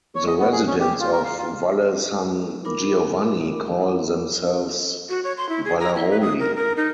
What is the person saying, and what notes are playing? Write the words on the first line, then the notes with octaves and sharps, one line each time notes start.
The residents of Valle San Giovanni call themselves "Vallaroli".
C#5
D#5
B3
G#4
C#4
G4
F4
A#4
F5
F4
D#4 F4 A#4 B5 D6
F#4
C#5
C6
E4
G#4
A#5
E4
B4
D#6
A#4
A#4
D#4